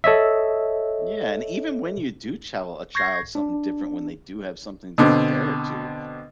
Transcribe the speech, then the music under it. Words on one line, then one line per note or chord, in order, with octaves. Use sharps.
Yeah, and even when you do tell a child something different, when they do have something to compare it to,
A4 C#5 D#5 E5
C#6 G6 G#6 A#6 C7
D4
B2 D3 C4